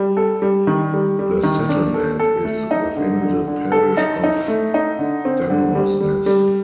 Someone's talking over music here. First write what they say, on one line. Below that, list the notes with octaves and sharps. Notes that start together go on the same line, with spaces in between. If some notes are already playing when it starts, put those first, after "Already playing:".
The settlement is within the parish of Dunrossness.
Already playing: G3
A4
G3
D#3
G3
G3
D#3
D4
A4
A4
A3
D#4
D3
D3
D3
A4
D#4
D#4
A3
D#4
D3
C4
D3
G3
G3
G3